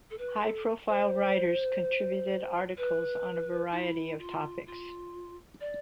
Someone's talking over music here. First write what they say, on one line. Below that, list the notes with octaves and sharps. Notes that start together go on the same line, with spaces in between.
High-profile writers contributed articles on a variety of topics.
A4
B4
A4
C5
B4
E4
F4
F4
D5